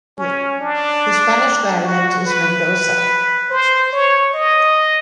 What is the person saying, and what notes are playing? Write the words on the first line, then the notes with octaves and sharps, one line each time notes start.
The Spanish variant is Mendoza.
C#4
D4
F#4
B4
C5
C#5
D#5